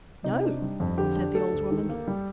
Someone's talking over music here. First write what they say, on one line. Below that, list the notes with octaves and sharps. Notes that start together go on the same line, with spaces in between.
"No," said the old woman.
C3 D#4
D4
G3
F2
D3 G4
D4
A3 A4
D2
D#3
A#3
G3